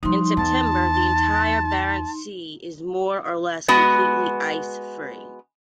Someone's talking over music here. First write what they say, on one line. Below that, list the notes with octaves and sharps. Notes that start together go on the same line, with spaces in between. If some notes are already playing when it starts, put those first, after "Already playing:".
In September, the entire Barents Sea is more or less completely ice-free.
F3 G3 D#4 C6
E2 A5
G#3 B3 F#4